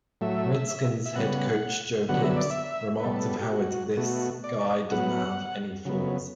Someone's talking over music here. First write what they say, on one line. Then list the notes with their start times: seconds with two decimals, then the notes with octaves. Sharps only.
Redskins head coach Joe Gibbs remarked of Howard This guy doesn't have any flaws.
0.21 A2 F#3 A3 E5
1.06 E5
1.15 C#3 G3 B3 F#5
2.09 D3 F#3 B3 F#5
2.24 E5
2.36 D5
2.50 E5
3.00 B4
3.03 A2 G3 B3 A4
3.41 G4
3.51 F#4
3.97 B2 A3 F#4
4.44 D5
4.91 A2 F#3 B3 F#5
5.85 C#3 F#3 B3